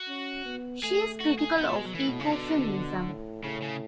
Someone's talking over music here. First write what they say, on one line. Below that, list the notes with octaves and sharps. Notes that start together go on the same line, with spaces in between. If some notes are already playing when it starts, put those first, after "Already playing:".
She is critical of eco-feminism.
Already playing: F#4
C#4
B3
A3 G#4
F#4
G#4
B2 B3
A3
G#3
F#3
A2 E3
B2
C#3
B2 D3
A2
A2 C#3
C#3